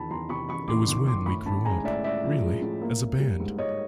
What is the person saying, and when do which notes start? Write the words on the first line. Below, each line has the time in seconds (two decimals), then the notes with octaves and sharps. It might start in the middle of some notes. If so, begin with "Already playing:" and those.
It was when we grew up, really, as a band.
Already playing: E2 D#3 A5 B5
0.10 E2 A#5 C6
0.29 C3 B5 C#6
0.49 E2 B5 C#6
0.68 E2 C6 D6
0.88 D#3 C6 D6
1.07 D#3 C6 D6
1.26 A2 B5 C#6
1.46 A2 A5 B5
1.65 G#3 G#5 A#5
1.84 A2 D5 E5
2.04 G#3 D5 E5
2.24 F3
2.43 G#3
2.62 A2
2.81 A#3
3.01 A#3
3.20 G3
3.40 G#2
3.58 G#2 C#5 D#5